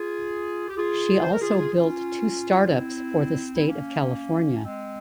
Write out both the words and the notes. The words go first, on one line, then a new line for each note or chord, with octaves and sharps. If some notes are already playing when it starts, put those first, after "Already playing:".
She also built two startups for the state of California.
Already playing: F4 G#4
G4
F4 G#4
C5
A#4
F4 G#4
F4 G#4
C#4 F4
C4 E4
E4
A#3 C#4
C#4
G#3 C4